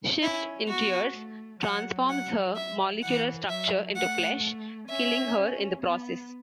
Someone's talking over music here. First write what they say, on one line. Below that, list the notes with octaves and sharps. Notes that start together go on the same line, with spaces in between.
Shift, in tears, transforms her molecular structure into flesh, killing her in the process.
C#4 E4
B3 F#4
A3
F#3 F#5
F#5
E5
E3 F#5
F#3 E5
A3 F#5
C#4 E5
B3